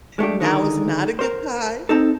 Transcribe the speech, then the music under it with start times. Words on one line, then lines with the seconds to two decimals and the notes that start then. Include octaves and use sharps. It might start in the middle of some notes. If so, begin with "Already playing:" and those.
now is not a good time"
0.19 G#3 A3 D4 G4
0.40 D3 D#3 G#4 A#4
1.19 A#4 C5
1.89 C4 D#4 A4